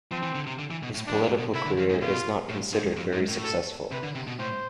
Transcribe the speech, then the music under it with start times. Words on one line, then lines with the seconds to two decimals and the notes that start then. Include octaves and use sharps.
His political career is not considered very successful.
0.11 F3 C4
0.23 E3
0.35 D3
0.47 C3
0.59 D3
0.71 E3
0.83 B2
0.95 A2
1.07 D4
1.12 F2
1.22 G#2
1.38 B2
1.54 C3 E4
1.66 D3
1.78 F3
1.90 G#2
2.01 B2 F4
2.49 A2
2.73 G#2
2.97 F2
3.13 G#2
3.28 A2
3.44 A4
3.92 C3 B4
4.03 D3
4.15 C3
4.27 B2
4.39 A2 C5